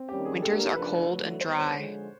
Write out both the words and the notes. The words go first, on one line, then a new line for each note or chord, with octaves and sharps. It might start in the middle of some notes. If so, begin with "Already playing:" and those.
Winters are cold and dry.
Already playing: C4
D#3 G3 A#3 C#4 G4
G#4
A#3 D4 G4 A4
A#4
C#3 F3 A3 D4 B4
D3 F#3 A3
D#3 G3 B3 C5
C#5
D3 F3 G#3